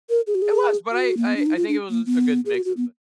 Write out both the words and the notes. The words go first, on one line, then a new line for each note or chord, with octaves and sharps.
It was, but I I I think it was just a good mix of things.
A#4
G#4
F#4
G#4
F#4
A#3
B3
D4
D#4
F4
D4
A#3
B3
G#4
F#4
F#4
B3